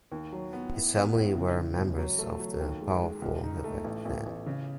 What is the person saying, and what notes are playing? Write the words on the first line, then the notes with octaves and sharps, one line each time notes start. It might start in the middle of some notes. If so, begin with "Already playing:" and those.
His family were members of the powerful Hvide clan.
D#2
F#3
B3
A2
B3
A2
C#3
C#3
E1
F#3
A3
F#3
D#2
G#3
G#3
C#2
D#4
A3
A1
A1
A1
C#3